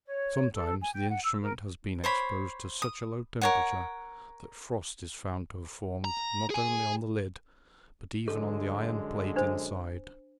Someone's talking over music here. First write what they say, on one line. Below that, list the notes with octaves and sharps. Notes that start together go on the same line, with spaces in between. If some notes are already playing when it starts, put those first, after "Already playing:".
Sometimes the instrument has been exposed to such a low temperature that frost is found to have formed not only on the lid, but even on the iron plate inside.
C#5
A4
G#5
G5
F#5
E6
A#4
C5 C#5 B5
D#6
A#4 C#5 F#5
A#5
G#4 G#5
F#2 D3 G#3 A4
D4 C5